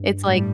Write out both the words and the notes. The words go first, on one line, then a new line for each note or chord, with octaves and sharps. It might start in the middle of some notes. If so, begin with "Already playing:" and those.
it's like
Already playing: G2
A2 G3